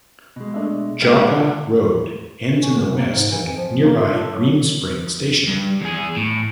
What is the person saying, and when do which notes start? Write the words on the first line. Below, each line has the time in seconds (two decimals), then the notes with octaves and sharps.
Joppa Road ends in the west at nearby Greenspring Station.
0.36 B2 G#3
0.54 A3 D4 E5
1.02 G#3 A#3 B4 E5 G5 F6
1.22 F4 F#5 G#5
2.62 C#4
2.73 D3
2.93 A#3
3.14 G#2
3.31 E3
3.43 F2
3.56 F3
3.83 A#3
3.96 F4
4.16 A4
4.33 F#3
5.47 G2
5.81 E2 G#4
6.17 A2